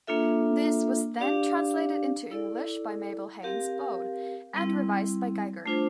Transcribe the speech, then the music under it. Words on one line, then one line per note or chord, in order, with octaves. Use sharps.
This was then translated into English by Mabel Haynes Bode, and revised by Geiger.
A#3 D4 F4 A4 E5
D4 G4 D5 F5
E4 A4 D5
C4 G4 A#4 F5
G3 C4 E4
A3 D4 F4 C5